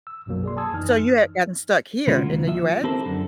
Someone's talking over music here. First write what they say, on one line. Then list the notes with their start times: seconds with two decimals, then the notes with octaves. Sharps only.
So you had gotten stuck here in the US?
0.07 E6
0.26 B1 F#2 B2 F#3 A#3
0.44 G#4 D5 C6
0.57 G#5 A5 D#6 E6 G#6
0.73 F#2 E3 D#4 F6
2.07 C#3 G#3 A#3 C#4 F4 F#4
2.23 D#2
2.47 F3 E5
2.83 C4 E4 G4 A4 A#4 C5
3.05 F#2 D3